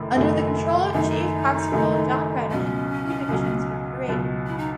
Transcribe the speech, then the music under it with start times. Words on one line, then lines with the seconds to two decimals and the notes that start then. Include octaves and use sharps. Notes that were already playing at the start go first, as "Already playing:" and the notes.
Under the control of Chief Constable John Redman, two divisions were created.
Already playing: F#1 F#2 D#3 A3 E4
0.15 F#1 F#2 D#3 A3 E4
0.93 F#1 F#2 D#3 A3 D#4 E4
1.72 F#1 F#2 D#3 A3 E4
2.50 C#2 B2 F#3 C#4
3.29 C#2 B2 F#3
4.08 C#2 B2 F#3
4.47 E4
4.58 D#4